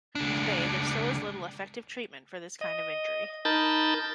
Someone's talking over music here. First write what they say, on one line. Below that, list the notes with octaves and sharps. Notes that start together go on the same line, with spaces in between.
Today, there still is little effective treatment for this kind of injury.
C#2 D4
D#5
D#4 A#4 A5 B5 G6 A6